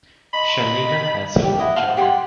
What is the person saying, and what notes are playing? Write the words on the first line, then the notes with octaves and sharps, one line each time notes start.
Choleva has four children.
D#5 B5
G4 D5
E4 D#5 F#5
C5 F5 F#5 A5
G4 F#5 B5 C6